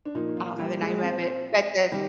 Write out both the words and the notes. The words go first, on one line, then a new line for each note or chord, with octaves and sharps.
I don't know the name of it, but the
D4
A#2 F3 A#3 D#4
F3 F4
G3 G4
G#3 G#4
C4 C5
D#3 G3 G4